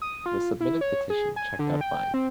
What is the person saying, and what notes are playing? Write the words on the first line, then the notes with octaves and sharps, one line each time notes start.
The submitted petition checked out fine.
D#6
F4
E4
C#5
G#4
G#5
D3
G5
C4